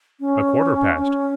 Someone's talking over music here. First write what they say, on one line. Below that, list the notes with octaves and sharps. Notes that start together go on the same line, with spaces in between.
A quarter past.
C#4
C#4